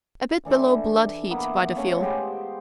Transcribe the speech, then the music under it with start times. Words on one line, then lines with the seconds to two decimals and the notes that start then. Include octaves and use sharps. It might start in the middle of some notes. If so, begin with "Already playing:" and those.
A bit below blood-heat by the feel.
0.45 E3 D4 A4 E5
1.30 A#3 B3 E4
1.54 D6
1.76 A3 C#4 F4 C#5
2.00 G#3 B3 G4 C5